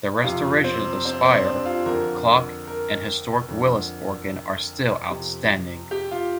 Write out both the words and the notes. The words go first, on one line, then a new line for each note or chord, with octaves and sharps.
The restoration of the spire, clock, and historic Willis organ are still outstanding.
F2 C3 F4
C4
C4
C4
D4
F4
F2 D3 A#4
A#4
F2 D3
F2 C3
G4
F4